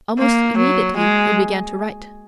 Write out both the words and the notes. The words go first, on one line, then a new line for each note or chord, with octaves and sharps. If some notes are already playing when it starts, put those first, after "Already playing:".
Almost immediately it began to write.
A#3
F#3
G#3